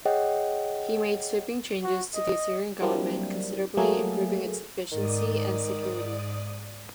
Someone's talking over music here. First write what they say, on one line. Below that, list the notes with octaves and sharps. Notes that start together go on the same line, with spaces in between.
He made sweeping changes to the Assyrian government, considerably improving its efficiency and security.
G#4 C#5 D#5 F#5 G5
F#4
D#5
F#3 G3 A#3 C4 D4 E4
F#3 A3 A#3 G#4
G#2 D#3 D5 D#6